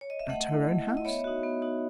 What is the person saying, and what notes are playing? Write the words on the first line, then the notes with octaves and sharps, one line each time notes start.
"At her own house?"
C#5
D#5
E5
A3 D#5 F#5
E4
A3
E4
D#5
B3 C#5 E5
D#4 F#4
B3
D#4 F#4